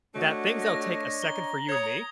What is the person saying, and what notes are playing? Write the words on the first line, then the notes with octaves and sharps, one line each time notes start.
that things that'll take a second for you and me,
A3 D4 F#4 C#5 D#5
A#6
A#5 G7
C#5 D#6 G#6